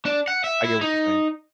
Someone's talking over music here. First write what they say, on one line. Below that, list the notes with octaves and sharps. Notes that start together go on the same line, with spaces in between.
I get what you're saying.
D4
F#5
E5
E4
D#4